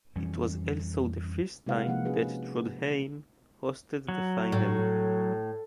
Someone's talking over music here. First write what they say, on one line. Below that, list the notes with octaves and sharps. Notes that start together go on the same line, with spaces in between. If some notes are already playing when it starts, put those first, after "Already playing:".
It was also the first time that Trondheim hosted the final.
F2 E3 G3 C#4
C3 G#3 E4 B4 F5 F#5
C3 F3 A#3 D#4 F#5
C#4 F#4 G#4 B4
F#3
A2